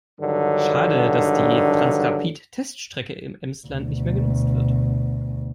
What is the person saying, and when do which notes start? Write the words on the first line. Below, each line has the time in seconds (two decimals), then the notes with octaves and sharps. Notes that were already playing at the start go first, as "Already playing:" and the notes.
Schade, dass die Transrapid-Teststrecke im Emsland nicht mehr genutzt wird.
0.19 G2 D3 D#3 F#3
3.67 D2 B2